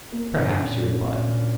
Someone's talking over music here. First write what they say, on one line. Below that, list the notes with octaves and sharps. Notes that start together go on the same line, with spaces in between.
Perhaps, he replied.
A#3
D3
A#2 C#4
D2
A#2 C#4
D3